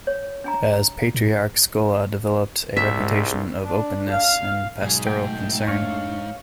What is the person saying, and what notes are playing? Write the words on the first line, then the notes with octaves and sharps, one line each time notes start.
As patriarch Scola developed a reputation of openness and pastoral concern.
C#5
D4 G#5 A#5
A2
C2 G#2 E5
D4
F5
G#2 B2 F#3 G#4
A3 G5
F2 D4 C#5 F5 C#6